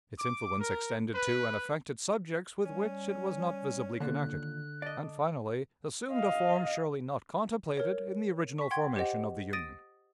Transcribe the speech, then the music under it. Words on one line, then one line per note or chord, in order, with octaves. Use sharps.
Its influence extended to and affected subjects with which it was not visibly connected, and finally assumed a form surely not contemplated in the original formation of the Union.
D6
A#4
B4
G3 C#4 G#5
D#2 A#2 D3 F#6
D4 D5 D#5
D#5 F5
A#4 C#5
C#6 B6
F#5 G5 C6 G#6
G4 C5 D#5 F#5
D#6 A6 A#6 D7 D#7